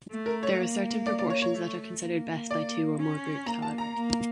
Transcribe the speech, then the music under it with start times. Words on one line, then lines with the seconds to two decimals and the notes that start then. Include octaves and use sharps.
There are certain proportions that are considered best by two or more groups however.
0.11 A3
0.26 A#4
0.43 C#5
0.58 A#3
1.06 D5
1.19 D5
1.30 C#5
1.42 C#5
1.54 A3
2.02 A#3
2.51 D5
2.99 C#4
3.46 A#3 A#5
3.62 A5
3.78 A#5
3.95 A#3